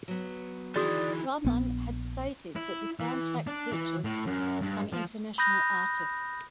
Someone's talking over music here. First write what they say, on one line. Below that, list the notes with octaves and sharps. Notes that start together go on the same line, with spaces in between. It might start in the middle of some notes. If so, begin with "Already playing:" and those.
Rahman had stated that the soundtrack features some international artists.
F#3 B3
D#3 E3 F#4 G#4 D5 C6 D#6
A#1 B3
E4
E3
D4
E3
A2
F#2
G2
F3
B5 D#6 F#6 G6 A#6